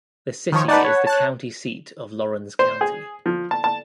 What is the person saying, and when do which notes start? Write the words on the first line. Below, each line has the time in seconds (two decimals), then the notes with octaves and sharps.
The city is the county seat of Laurens County.
0.52 D#3 F3 C#5
0.68 D#4 B4 D5 F#5 A5
0.85 C#5
1.07 A5 F#6
2.59 C5
2.81 G#4
3.26 F3
3.51 A5
3.64 A5